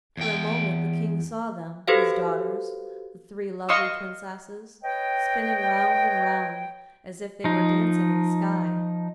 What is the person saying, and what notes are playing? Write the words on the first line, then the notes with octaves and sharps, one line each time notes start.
For a moment the King saw them, his daughters, the three lovely princesses, spinning round and round, as if they were dancing in the sky.
E2 G5
F#4 G4 A4 B4 C5 F5
D#5 F5 C6 C#6 D#6 E6
B4 C#5 D#5 G5
F3 D#4